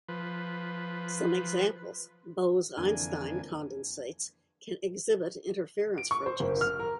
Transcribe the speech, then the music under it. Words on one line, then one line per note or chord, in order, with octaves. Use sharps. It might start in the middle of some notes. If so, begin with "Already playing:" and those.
Some examples: Bose-Einstein condensates can exhibit interference fringes.
F3 B4
F2 D3 E3 A#3 D4 G#5
D7
C#6
C5
F#1
F6
A#4